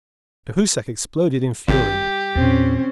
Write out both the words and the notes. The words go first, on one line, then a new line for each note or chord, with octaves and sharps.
Cahusac exploded in fury.
G#1 G3 G4
E2 A#2 C4 C#4